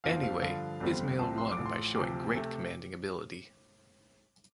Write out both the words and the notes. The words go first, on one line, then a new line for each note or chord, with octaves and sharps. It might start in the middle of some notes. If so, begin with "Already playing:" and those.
Anyway Ismail won by showing great commanding ability.
G1 F2 F3 C4 F5
F5
G2 D3 F3 F5
G1 F2 D3 G3 C4
C2 C3 F3 C4 A5
C6
D6
A1 A2 F3
C6
D2 C3 F3 D6
C3 A3